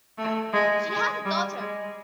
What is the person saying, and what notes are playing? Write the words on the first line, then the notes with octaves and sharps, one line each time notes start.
She has a daughter.
A3
G#3
G#3
G3
G#3